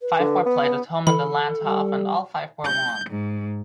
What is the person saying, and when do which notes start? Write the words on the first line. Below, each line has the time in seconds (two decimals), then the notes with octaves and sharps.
Five were played at home in the Landhof and all five were won.
0.02 B4
0.19 D3
0.46 B3
1.07 E3 A4 B5
1.64 G3
2.65 G6
3.10 G#2